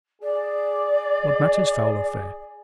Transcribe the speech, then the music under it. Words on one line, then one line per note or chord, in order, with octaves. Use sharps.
What matters foul or fair?
G#4 D5